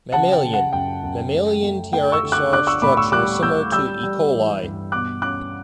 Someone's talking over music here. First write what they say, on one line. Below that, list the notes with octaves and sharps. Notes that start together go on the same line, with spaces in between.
Mammalian: Mammalian TrxR structure is similar to "E. coli".
C#3 F#5 A5
G5
C#3
F#5
F#2 G5
F#2
A3
A3
A3 G5
C#6 E6
D3
D6 F#6
D4 D6 F#6
C#6 E6
A2 B5 D6
C#6 E6
G3 D6 F#6
A2 E6 G6
G3 E6 G6
G3
E3
G2
B2 D6 F#6
C#4 D6 F#6